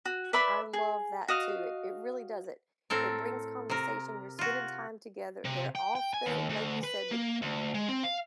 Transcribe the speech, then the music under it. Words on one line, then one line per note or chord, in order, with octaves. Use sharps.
I love that too. It it really does it. It brings conversation, you're spending time together, they're off the like you said, the
F#4
B4 D5 E5 B5
G#4
F#4 D#5 F5
A2 C4 A4 A#4
C3 A#4
F4 F#4
C3
G5
G5
G#5
D#2
D2
B4
A#3
D2
G#3
C4
F5